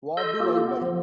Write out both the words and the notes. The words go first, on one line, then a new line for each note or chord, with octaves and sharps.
What do I buy?
A4 D#5 C6 E6 G6
A#3 F4 G4 A4
B3
F3